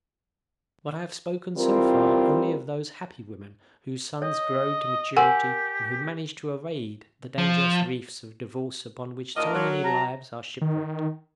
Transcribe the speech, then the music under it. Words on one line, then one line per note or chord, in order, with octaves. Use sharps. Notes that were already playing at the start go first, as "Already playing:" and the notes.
But I have spoken so far only of those happy women whose sons grow to maturity, and who manage to evade the dangerous reefs of divorce upon which so many lives are shipwrecked.
E3 G3 C4 F4 A#4
C#5 D#5
G4 A#4 F#5 G#5 C6
F3
D2 A2 D4 F4 A#4 D#5
F#3
A5 A#5
D#3